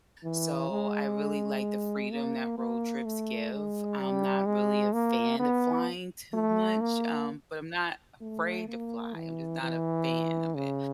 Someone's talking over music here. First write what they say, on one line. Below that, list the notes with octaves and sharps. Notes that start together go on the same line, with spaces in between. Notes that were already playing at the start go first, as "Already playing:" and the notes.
so I really like the freedom that road trips give, I'm not really a fan of flying too much, um, but I'm not afraid to fly, I'm just not a fan of it,
E3
G#3
A#3
A#3
A3
G#3
G3
G#3
A#3
B3
A3
A#3
A3
A#3
E3
E3
C#3